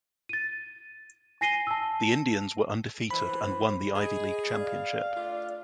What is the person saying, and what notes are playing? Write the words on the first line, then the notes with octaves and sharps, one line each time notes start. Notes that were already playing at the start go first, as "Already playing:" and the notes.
The Indians were undefeated and won the Ivy League championship.
A6 D#7
G#5 A#6 C7 D#7 G7
A5 E6
E3 C5 B5
G#4 D#5
D5 F5
A3 D4 F4